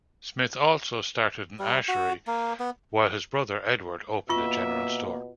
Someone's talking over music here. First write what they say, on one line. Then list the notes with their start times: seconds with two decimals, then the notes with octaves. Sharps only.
Smith also started an ashery, while his brother Edward opened a general store.
1.59 G3
1.89 F#4
2.27 A#3
2.60 B3
4.29 B2 A#3 F4 E5 C#6